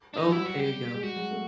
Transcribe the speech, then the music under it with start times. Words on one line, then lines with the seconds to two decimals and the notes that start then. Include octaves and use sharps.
Oh, there you go.
0.14 D4
0.17 D#4
0.27 F#3
0.32 G3 E4
0.46 F#4
0.60 G4
0.94 G#3
1.02 G3 F#4
1.16 F#3 G#3
1.31 A3 B3